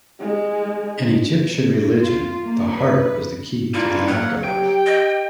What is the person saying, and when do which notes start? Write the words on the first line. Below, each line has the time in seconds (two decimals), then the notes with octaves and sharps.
In Egyptian religion, the heart was the key to the afterlife.
0.20 G#3
2.04 F4
2.44 A#3
2.72 B4
3.74 G2 A#2 E4 F4
4.08 F#3 A#3 F#5
4.44 G4 G5
4.86 D#5